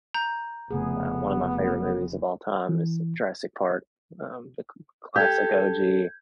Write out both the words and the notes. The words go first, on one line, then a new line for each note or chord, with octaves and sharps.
Uh, one of my favorite movies of all time is Jurassic Park, um, the c classic OG.
A#5 G6
F1 C#3 A3 B3 G#4
E3
G4 A4 G6 G#6